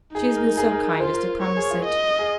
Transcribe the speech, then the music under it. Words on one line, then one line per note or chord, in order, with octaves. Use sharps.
She has been so kind as to promise it.
D#4 G#4
A#4
G#4
A#4
F4 C5
A#4
A#4 C#5
G#4
F4
D#5
G#4